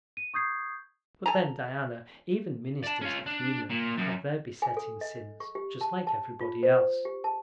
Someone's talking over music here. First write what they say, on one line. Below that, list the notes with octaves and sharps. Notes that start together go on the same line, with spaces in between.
But then, Diana, even ministers are human and have their besetting sins just like everybody else.
D#7
C#6 D#6 G6 G#6 C7
A4 G#5 A#5
D5 A5
C#4 F4
D4
A#2
F#2
G#5
A4
D#5
C#6
G4
A5
A5
F4
C5
G4
A5